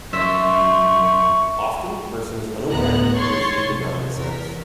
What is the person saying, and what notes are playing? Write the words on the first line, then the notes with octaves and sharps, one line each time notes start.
Often, the person is unaware that he or she did not make sense.
F#2 E5 C6 C#6
D2 A2 B3 A#5 F#6
A1 C#5 C6 C#6 A6
C3
E2 A#4 B6